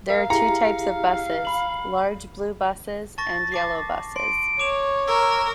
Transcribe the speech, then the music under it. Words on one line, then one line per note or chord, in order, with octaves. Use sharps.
There are two types of buses, large blue buses and yellow buses.
A#4 F5 A#5
E4 G4 G#4 A#5 C#7
B5 F#7
A5 C#6 A6 A#6
A5 D6 C7
C6 D7
C#5 D6 E7 F7
A#4 C#6 E6 F6 G#6